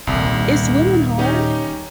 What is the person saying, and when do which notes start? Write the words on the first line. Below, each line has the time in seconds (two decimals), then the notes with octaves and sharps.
Is swimming hard?
0.07 D#1 C2
1.18 C#4 D#4 G4